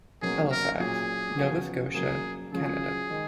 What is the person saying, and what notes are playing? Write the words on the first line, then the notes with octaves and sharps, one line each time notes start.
Halifax, Nova Scotia, Canada.
B2 F#3 A#3 C#4 F#4 G#4
A#4
A#2 F#3 C#4 F4 G#4
F#2 C#3 F3 B3 F#4
C#3 F#3 A#3 G#4
C#3 F#3 C#4 F4 G#4
D#3 G#3